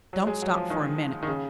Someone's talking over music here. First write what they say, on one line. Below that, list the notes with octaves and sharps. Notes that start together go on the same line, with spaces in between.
Don't stop for a minute.
F#3
G#3
F#3
F3
D#3
D#3
C#3